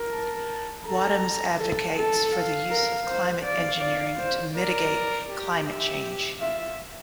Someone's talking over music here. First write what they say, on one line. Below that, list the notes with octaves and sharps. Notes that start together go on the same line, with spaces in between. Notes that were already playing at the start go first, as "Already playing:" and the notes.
Wadhams advocates for the use of climate engineering to mitigate climate change.
Already playing: A#4
A5
A4 A#5
A4 A5
A4
F5
A#4
C5
D5 F5
D5
C5
A#4 D5
G4
G4 E5
F4 E5